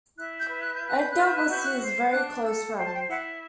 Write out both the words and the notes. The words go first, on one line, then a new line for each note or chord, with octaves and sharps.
Edgar was his very close friend.
E4 F#6
G6
B4
F#6
G6
B4 F#6
G6
E4 F#6
G6
F#6
F#4 G6
F#6
C5
D4 F#6
A4 E6
C5 G5
A5
G5
E4 F#5